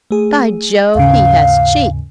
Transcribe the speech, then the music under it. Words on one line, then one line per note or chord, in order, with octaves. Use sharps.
By Jove, he has cheek!
A3 G#4
D#2 G#2 C#3 F5